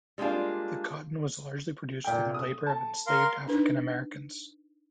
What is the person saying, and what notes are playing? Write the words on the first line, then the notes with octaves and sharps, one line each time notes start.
The cotton was largely produced through the labor of enslaved African Americans.
G3 G#3 A#3 D4 F4
A#2 G5
D#6
A5
A#4 F5 C6
D4 D#4 B4